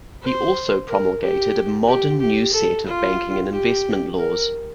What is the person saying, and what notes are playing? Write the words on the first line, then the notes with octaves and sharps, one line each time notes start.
He also promulgated a modern new set of banking and investment laws.
C5
A#4
G4
G4
G4
A4
F4
G4
A#4